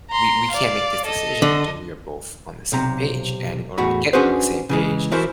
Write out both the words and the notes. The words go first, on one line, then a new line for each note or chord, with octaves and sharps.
we we can't make this decision till we are both on the same page. And in order to get on the same page,
A#5 C6
D5 F5
A4 D#5
D3
B1 C3 A#5
E2 A2 F#4 B5
C#4 D4 F#4 G#4 B4 C5
C#3 E3 G#3
E3 E4 F#4 A#4 C5 E5